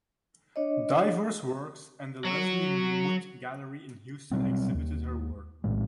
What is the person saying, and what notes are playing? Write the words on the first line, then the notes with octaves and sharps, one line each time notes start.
Diverse Works and the Leslie Muth Gallery in Houston exhibited her work.
D4 C#5 D#5
F#3 F#4
B2 F#3 G3 C4
D#2
A#1 A2 G#3